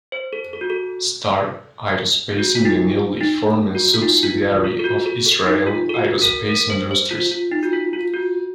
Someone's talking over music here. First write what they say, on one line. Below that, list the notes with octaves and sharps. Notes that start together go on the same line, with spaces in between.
Stark Aerospace is the newly formed subsidiary of Israel Aerospace Industries.
C5
A4
A4
F#4
A4
F#4
F4
D#4
D#4
F#4
F4
D#4
F4
F4
A4
F#4
A4
A4
D#4
F4
A4
F#4
A#4
A#4
C5
C5
F4
F4
D#4
F#4
F4
F4
F#4